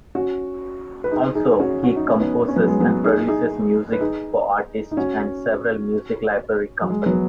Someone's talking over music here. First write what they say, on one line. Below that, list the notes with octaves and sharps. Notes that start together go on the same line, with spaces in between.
Also, he composes and produces music for artists and several music library companies.
C#4 F#4
B4
D#4 G#4
D#4 G#4
G#4
C#4 F#4
F#4
D#4
C#4
B3 D#4
C#4
F#3 B3
G#3
F#3 B3
D#4 G#4
D#4 G#4
B4
D#4 G#4
D#4
C#4 F#4
F#3
G#3
F#3 B3